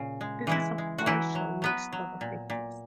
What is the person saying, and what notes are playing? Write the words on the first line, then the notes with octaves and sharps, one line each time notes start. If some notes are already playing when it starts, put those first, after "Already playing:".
This is a partial list of affixes.
Already playing: A#2 C#3
G#3
E3 G#3 E4
G#3
F#4
E3 F#3 E4
F#3
F#3 B3 B4
F#3
A#2
A#2